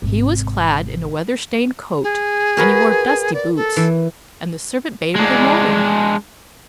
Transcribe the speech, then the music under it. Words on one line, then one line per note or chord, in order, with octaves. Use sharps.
He was clad in a weather-stained coat, and he wore dusty boots, and the servant bade him good-morning.
G#1 C3
G#4
F#4 A#4 B4
D5
A4
E3
G#3 D4